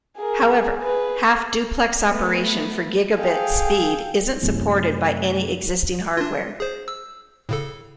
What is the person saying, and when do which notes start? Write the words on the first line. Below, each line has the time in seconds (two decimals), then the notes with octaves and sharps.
However, half-duplex operation for gigabit speed isn't supported by any existing hardware.
0.17 G#4 A#4
0.79 G#4 B4
2.06 A3 B3
3.15 G#4 A4 F5 G5
4.42 F#2 A2 C3
6.17 D4 F4
6.60 G#4 C5
6.88 E6
7.49 A2 C#3 A4